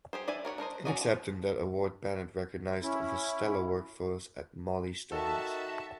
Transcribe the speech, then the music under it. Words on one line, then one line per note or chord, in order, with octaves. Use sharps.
In accepting that award Bennett recognized the stellar workforce at Mollie Stone’s.
G4 G#4 C5
E3 D5 E5 G#5
A#4 C#5 D5 F#5
D4 A#4 C5 D#5
C#4 E4 F#4 D5 D#5
F3
C#4 E4
D#3 F#4 A4 E5 A5